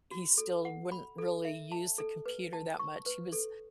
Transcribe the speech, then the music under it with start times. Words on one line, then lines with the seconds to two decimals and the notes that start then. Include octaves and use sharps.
he still wouldn't really use the computer that much, he was
0.11 F#4
0.38 A4
0.65 F#5
0.92 B5
1.18 A4
1.45 E5
1.72 A5
1.98 A4
2.26 B4
2.53 A5
2.79 C#6
3.06 B4
3.32 A4